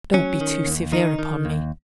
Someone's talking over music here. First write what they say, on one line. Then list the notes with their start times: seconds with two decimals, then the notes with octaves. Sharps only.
Don't be too severe upon me.
0.14 F#3 C#4
0.41 D#3
0.66 D#2
0.92 D#3 D#4
1.19 D#3
1.45 D#2